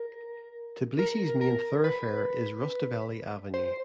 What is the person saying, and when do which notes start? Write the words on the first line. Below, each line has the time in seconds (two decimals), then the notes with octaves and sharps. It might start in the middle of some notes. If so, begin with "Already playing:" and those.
Tbilisi's main thoroughfare is Rustaveli Avenue.
Already playing: A#4
0.99 A#4
1.41 A#4
1.84 B4
3.54 C5